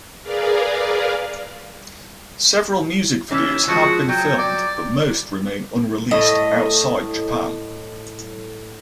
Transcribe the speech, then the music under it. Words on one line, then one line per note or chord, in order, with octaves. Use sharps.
Several music videos have been filmed, but most remain unreleased outside Japan.
G#4 A#4 B4 D5 F5
E3 C#4 E5
F3 G#3 F#4
F#3 G5
D5
A2 D#5